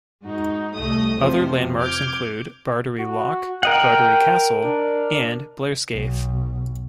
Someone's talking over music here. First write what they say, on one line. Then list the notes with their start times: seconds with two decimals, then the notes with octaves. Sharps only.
Other landmarks include Bardowie Loch, Bardowie Castle and Blairskaith.
0.24 G#2 D#4 F#4
0.75 C2 A2 A3 D#5 D#6
1.19 F2 C3 F3 C5
1.81 D6 F6 G6 G#6
2.99 F#4
3.63 A#4 D#5 F#5 G5
4.64 D4
5.93 B1